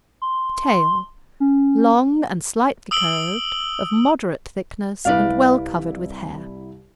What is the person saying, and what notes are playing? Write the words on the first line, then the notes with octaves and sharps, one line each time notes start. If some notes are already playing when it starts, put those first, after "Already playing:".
TAIL--Long and slightly curved, of moderate thickness, and well covered with hair.
C6
C#4
D#6 E6 D7 F#7 G7
C2 E4 B4 D5 F5